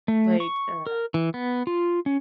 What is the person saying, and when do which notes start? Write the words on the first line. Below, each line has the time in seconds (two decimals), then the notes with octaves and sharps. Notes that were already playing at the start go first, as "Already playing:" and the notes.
Like, uh
0.08 A3
0.40 C#6
0.87 A#4
1.14 E3
1.34 B3
1.67 F4
2.06 C#4